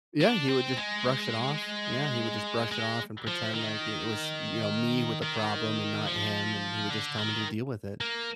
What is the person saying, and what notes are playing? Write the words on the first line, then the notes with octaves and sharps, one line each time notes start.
Yeah, he would just brush it off. Yeah, he would just brush it off and pretend like i it was, you know, me with the problem and not him, and he would just tell me to deal with it.
D4
C4
G#3
G#3
F3
D#3
D#3
F3
D3
D#3
A#3